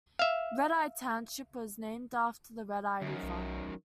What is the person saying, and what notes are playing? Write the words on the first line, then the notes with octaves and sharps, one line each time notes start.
Red Eye Township was named after the Redeye River.
E5 F5
F#2 D3 D#3
B1